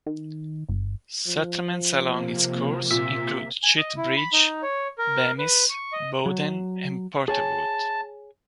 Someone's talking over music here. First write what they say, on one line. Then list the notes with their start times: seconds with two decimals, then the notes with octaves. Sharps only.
Settlements along its course include Cheat Bridge, Bemis, Bowden, and Porterwood.
0.06 D#3
0.69 G1
1.27 F3
1.92 C3 A#3
2.91 A#2 E5
3.64 G#5
3.78 D#5
3.97 E4
4.17 B5
4.33 D#4
4.63 C#5
4.98 A#4
5.39 B4
5.70 C#6
5.93 D#5
6.26 F#3
7.28 G#4 C#5 G#5 A5